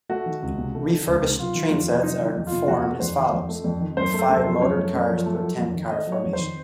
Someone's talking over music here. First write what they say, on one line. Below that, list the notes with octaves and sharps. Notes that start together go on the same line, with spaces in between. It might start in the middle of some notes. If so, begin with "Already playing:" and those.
Refurbished trainsets are formed as follows, with five motored cars per ten-car formation.
A3 F#4
D#3
C#2
C3
A3
D#3
C#2
C3
F#3 F4
D#3
F2
C3
F#3 D#4
D#3
D#4
F2
C3 F4
F2 F#4
A3
F2 C5
D#3
F2
A3
F2
D#3
F#2 C5
A3
A4
F#2
C5
F3
F#2 C#5
A3
F#2
F3
A3
F#3
F2
D#3
A3 D#5
F#3
C#5
F2
C5
D#3